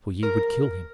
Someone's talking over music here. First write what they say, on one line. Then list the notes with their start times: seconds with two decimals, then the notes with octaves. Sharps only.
"For ye would kill him."
0.23 A#4